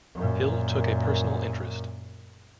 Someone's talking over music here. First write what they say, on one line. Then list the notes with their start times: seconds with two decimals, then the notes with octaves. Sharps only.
'Hill took a personal interest.
0.15 F#2 A#2